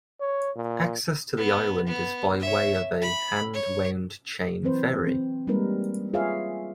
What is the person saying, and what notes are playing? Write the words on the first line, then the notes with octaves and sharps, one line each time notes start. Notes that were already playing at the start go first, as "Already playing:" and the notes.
Access to the island is by way of a hand wound chain ferry.
C#5
A#2
B3
B3
C#5 E5
B5
C#5
E3 F#3 C4 B4 C5
C4
G3 G#3 A#3 D#4 A#4 B4
F4 G#4 B4 C#5 E5 F5